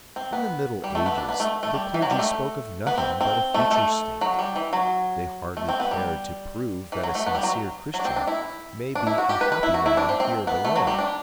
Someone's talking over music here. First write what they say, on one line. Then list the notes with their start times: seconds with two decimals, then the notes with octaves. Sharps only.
In the Middle Ages the clergy spoke of nothing but a future state; they hardly cared to prove that a sincere Christian may be a happy man here below.
0.16 C4
0.33 B3
0.84 G3
0.95 A3
1.06 B3
1.18 D4
1.29 B3
1.40 A3
1.63 A3
1.74 G3
1.94 E3
2.02 F#3
2.11 G3
2.19 A3
2.87 B3
2.98 C4
3.21 C4
3.54 A3
3.71 A3
4.21 F#3
4.39 G3
4.56 E3
4.73 F#3
5.57 A3
5.69 C4
5.80 B3
5.91 G3
6.92 E3
7.03 F#3
7.15 A3
7.26 B3
7.35 G3
7.43 F#3
7.94 F#3
8.00 D4
8.05 C4
8.16 D4
8.27 E4
8.95 D4
9.07 E4
9.18 F#4
9.29 G4
9.41 B4
9.52 B4
9.63 E4
9.74 F#4
9.86 E4
9.97 D4
10.09 C4
10.20 C4
10.47 B3
10.65 A3
10.76 F#3
10.87 G3
10.99 D4